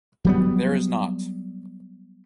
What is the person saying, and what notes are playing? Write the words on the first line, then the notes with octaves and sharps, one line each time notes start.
There is not.
F#3 G3 B3